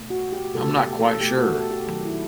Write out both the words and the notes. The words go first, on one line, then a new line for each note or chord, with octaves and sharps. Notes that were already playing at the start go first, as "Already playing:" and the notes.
I'm not quite sure.
Already playing: B2 A3
F#4
G4
B2 A3 A4
G4
A4
B2 A3 G4
F#4
A4
G4
D#3 F#3 A3 G4
E4